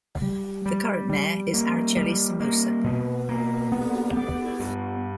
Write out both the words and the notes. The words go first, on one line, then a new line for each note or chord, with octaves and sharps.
The current mayor is Araceli Somosa.
G3
G3
G3
A#3
G3
A#3
B2
A#3
B3
B3
G2